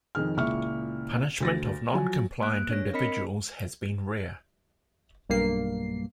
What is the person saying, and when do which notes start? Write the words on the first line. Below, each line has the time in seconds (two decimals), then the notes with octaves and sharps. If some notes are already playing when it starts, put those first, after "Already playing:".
Punishment of noncompliant individuals has been rare.
0.15 F2 D#3 G#4 F6
0.37 C#2 A#2 E4 E5 C#6 F6
1.40 D2 A6 A#6
1.93 F3 F#3 G#5
2.42 A#3 F#6 D7
2.69 D4 C#5 A#6
2.94 C4 A#4 D#5 B5 B6 C#7
5.29 B1 G2 A#3 C7